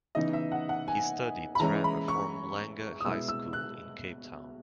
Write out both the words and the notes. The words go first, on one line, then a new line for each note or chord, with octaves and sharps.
He studied drama from Langa High School in Cape Town.
C#3 E3 B3 D#4 D#5
E5
F#5
F#5
G#5
B5
E3 G#3 C#4 E4 A#5
B5
C#6
D#6
B2 G#3 B3 E4 E6
E6
F#6